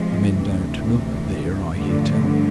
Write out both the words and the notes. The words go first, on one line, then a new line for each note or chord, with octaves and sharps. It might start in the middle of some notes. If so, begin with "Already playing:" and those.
The men don't milk there, I hear tell.
Already playing: C3 F3 G#3
D2 C3 E3
G2 D3 F3 A3